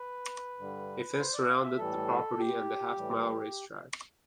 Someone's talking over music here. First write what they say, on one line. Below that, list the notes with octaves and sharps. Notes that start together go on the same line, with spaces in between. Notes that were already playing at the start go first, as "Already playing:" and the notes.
A fence surrounded the property and the half-mile racetrack.
Already playing: B4
G2 D3 G3
C5
D5
F5
E5
A2 E3 G3 A4
G4
A2 E3 G3